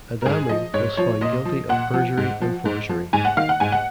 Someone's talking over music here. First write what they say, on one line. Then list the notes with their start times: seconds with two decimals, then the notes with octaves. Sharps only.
Adamu was found guilty of perjury and forgery.
0.22 A#4
0.25 G#2 G#4
0.49 F3 D#5
0.74 G#2 C#5
0.97 F3 C#5
1.21 A#2 D#5
1.45 F3
1.69 A#2 F#5
1.93 F3
2.17 G#2
2.41 F3
2.65 G#2
2.89 F3
3.13 G#2 G#5
3.25 F#5
3.37 D#3 F5
3.49 F#5
3.60 G#2 G#5
3.72 F#5